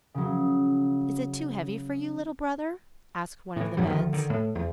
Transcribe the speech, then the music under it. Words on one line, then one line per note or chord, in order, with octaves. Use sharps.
'Is it too heavy for you, little brother?' asked one of the beds.
C#3 F#3
A2 E3
G#1 G2 F#3 G3
D2 D#3 F3
D3 D#3
A2
E2